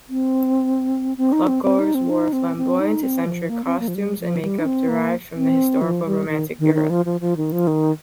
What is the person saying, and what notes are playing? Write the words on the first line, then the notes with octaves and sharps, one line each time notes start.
Club-goers wore flamboyant, eccentric costumes and make-up derived from the historical Romantic era.
C4
C4
D#4
C4
C4
D#4
C4
D#4
C4
C4
D#4
C4
F3
A#3
C4
A#3
F3
G3
F3
G3
D#4
C4
A#3
C4
F3
G3
D#3
D#3
D#3
F3
F3
F3
D#3
F3
D#3